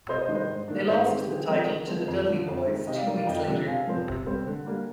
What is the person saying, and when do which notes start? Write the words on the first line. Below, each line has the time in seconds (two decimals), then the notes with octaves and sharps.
They lost the title to the Dudley Boyz two weeks later.
0.08 C3 C5 D#5
0.21 C5 D#5
0.28 D#3 G3 D4
0.35 C5 D#5
0.48 G#2
0.68 D#3 A#3 D4
0.77 D5
0.88 G#2 G#4 C5
1.08 D#3 G#3 C4
1.21 G4
1.28 D3 G#4
1.48 F3 C4
1.67 D3
1.87 F3 G#3 C4
2.08 F2
2.28 D3 F3
2.48 F2
2.67 D#3 G#3
2.87 C3 D#5 G5
2.97 D5 F5
3.07 D#3 G3 A#4 D5
3.17 D5 F5
3.26 F2 D#5 G5
3.46 C3 F3 G#3 D4
3.67 C3 F5 G#5
3.87 F3 C4
4.07 C3
4.26 G3 C4
4.47 D3
4.66 G3 A#3 D4